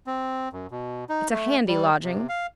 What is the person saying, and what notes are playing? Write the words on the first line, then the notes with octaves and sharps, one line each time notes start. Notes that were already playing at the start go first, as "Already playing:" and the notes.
It's a handy lodging.
C4
F#2
B2
D#4
A3
G3
C3
F5